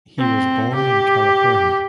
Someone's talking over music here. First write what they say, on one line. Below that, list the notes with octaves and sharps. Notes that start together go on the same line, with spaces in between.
He was born in California.
C4
G4